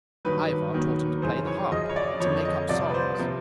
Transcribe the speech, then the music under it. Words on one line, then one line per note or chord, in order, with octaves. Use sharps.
Ivar taught him to play the harp and to make up songs.
G2 D#3 F#3 B4
D#2 D#3 F#3
F#2 C#3 E3 C5
C#5
F#2 C#3 F3 D#5
C#5
D5
F2 D3 F3 C#5
D#5
C2 C3 F3 D5
B4
C5
C3 F3